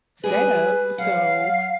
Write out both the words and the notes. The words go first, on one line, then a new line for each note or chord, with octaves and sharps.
setup, so
G3 G#4 B4
F#3 F5 F#5